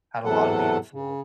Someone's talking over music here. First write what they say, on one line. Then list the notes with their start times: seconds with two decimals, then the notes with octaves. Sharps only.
had a lotta beautiful
0.25 E2 A2 C3 F#3 A4 F#5
0.93 C#3